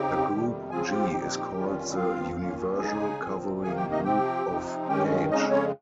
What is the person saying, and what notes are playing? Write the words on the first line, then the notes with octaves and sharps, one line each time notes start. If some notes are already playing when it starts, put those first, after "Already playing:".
The group "G" is called the "universal covering group" of "H".
Already playing: C#3 C4 D#4 G4 G5
F2 C3 D#3 G3
C#3 F3 C4 F4 G#4 G#5
G4 G5
A#2 F3 C4 D#4
F2 D#3 G3 C#4 F4
G2 F3 C4 F4 F5
D#3 A#3 C#4 F4
C#3 G#3 D#4 G#4 G#5
A#2 F3 C4
C3 D#3 A#3 G#4 G#5
G4 G5
D#4 D#5
C3 F3 C4 G4 G5
C3 F3 C4 D#4
G2 D#3 G#3 C#4 G4 G5
F2 C#3 G#3 C#4 D#4 D#5
C#4 C#5